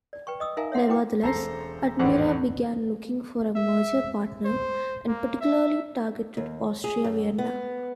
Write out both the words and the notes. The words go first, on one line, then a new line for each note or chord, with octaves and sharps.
Nevertheless, Admira began looking for a merger partner, and particularly targeted Austria Vienna.
D5
B4 G5 C#6
D#5 D#6 E6
D#4 A#4 E5 F5 G#5 A#5
C#5 E5 F#5 C6
E4 F#4 B4 G5 D6
E1 A4 C5 A#5 A#6 C7
G#1 E2 A2 C4 D4 F#5
E5
C5
A#3
E5
D#2
G#4
F#2
B3